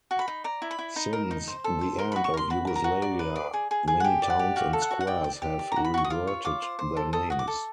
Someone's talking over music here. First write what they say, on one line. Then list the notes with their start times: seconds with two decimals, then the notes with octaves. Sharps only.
Since the end of Yugoslavia, many towns and squares have reverted their names.
0.11 F#4
0.19 B5
0.28 D#4
0.44 D5 A#5
0.62 E4
0.71 B5
0.79 E4
0.96 D#4
1.13 A#4
1.31 D#4
1.48 C5
1.64 A4
1.81 C5
1.98 A#4 C6
2.12 F#4 B5
2.24 C#6
2.34 A#4 C6
2.50 F#4 B5
2.67 A#4
2.76 A#5
2.84 F#4
3.02 D5
3.19 B4
3.36 D5
3.53 G#4
3.71 G#4
3.88 G#4
4.00 F#5
4.04 G4 G5
4.22 D5
4.30 F#5
4.39 G4
4.56 F#4 F5
4.73 A4
4.82 F#5
4.91 F#4
5.01 F#5
5.07 D5 G5
5.24 D5
5.42 G4
5.59 D5
5.72 F#4 A#5
5.84 B5
5.94 F#4 C#6
6.04 D#6
6.10 F4 D6
6.27 C#5
6.45 F4 D6
6.62 C5
6.79 C5
6.97 A4
7.13 A4 D#6
7.30 F#4 D#6
7.39 D6
7.48 A4